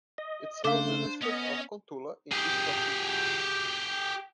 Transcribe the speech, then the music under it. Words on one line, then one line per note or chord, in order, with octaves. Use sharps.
It serves the district of Kontula in East Helsinki.
D#5
C#3 A3 D4 C5 F5 D6
B3 C#4 D#5
G4 G#4